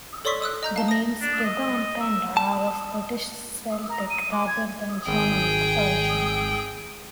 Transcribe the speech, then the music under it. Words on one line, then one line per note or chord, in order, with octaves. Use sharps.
The names Pybba and Penda are of British Celtic, rather than Germanic, origin.
A4 C#5 D5 C6 C#6 B6
D#6 E6 F#6
D#5 A#5 G6
F5 A5
D#6 A#6
D4
D#5
E5
A5
A#5
D#7
D6
G#6
G#1 G#4 G5